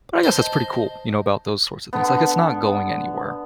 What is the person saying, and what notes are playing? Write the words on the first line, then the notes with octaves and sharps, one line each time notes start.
but I guess that's pretty cool, you know, about those sorts of things. Like, it's not going anywhere.
C5 D#5 A5
D3 B3